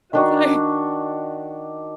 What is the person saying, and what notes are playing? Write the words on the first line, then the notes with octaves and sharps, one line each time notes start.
It's like,
D#3 D4 F#4